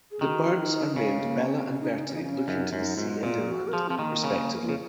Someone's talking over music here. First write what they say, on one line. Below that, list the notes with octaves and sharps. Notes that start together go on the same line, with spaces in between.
The birds are named Bella and Bertie, looking to the sea and inland, respectively.
G#4
D#3 F#4
D#4
C#3 C#4
A#3
C4
C#4
D#4
C#4
D#4
C#4
D#4
C#4
F#2 D#4
F#2 D#4
G#2 F4
A#2 F4
G#4
F#4
A#4
F3 G#4
F3 C4
D#3 A#3
C#3
C#3